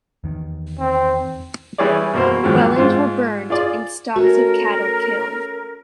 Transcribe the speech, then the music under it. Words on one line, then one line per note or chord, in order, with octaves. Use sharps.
Dwellings were burned and stocks of cattle killed.
E2 D#3
C4
E3 G3 G#4 C#5 D5
E2 B2 A#3 F#4 C5
D#2 G#2 F3 F#3
G#2 F4 C5 C6
F4 G#4 D5
A3 C#4 F#4 A#4